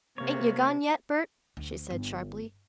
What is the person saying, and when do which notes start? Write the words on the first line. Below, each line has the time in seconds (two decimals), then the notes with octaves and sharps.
"Ain't you gone yet, Bert?" she said sharply.
0.18 C3 A#3 C#5
1.57 D2
1.90 G1